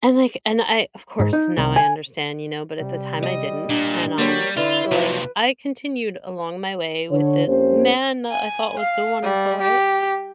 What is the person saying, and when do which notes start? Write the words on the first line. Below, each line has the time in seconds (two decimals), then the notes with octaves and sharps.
And, like and I, of course, now I understand, you know, but at the time I didn't, and, um, so, like, I continued along my way with this man I thought was so wonderful, right?
1.20 G#2
1.33 D#4
1.58 C2
1.76 G#5
2.80 C3 G3
3.23 D#5
3.69 A#2 D4
4.18 F#3 G3 A#3 G4 C#5
4.57 D3 E4 F4 B4
4.91 D#2 C3 F3 F#3 B4
7.12 D3 C#5
7.48 F2 A#3 C#4 G4 C5
8.32 G#5
8.80 F5
9.23 G3
9.62 G4